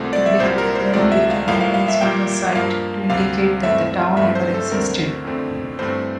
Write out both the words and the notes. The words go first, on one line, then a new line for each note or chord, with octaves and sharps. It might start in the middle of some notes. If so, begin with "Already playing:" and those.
Today, very little remains on the site to indicate that the town ever existed.
Already playing: C2 A#2 A3 C4
D5
E5
C2 A#2 G3 A#3 C5
A#4
C5
D2 C3 F3 A3 D5
E5
F5
A2 F3 A#3 F5
F5
F5
E5
A#2 G3 A#3 G5
G2 F3 A#3 F5
D2 C3 G3 C4 F5
G2 E3 A3 C4 E5
G2 E3 A3 C4 E5
C5
A4
D2 D3 A3 C4 A#4
F2 D3 A3 C4
G2 E3 A3 C4 C5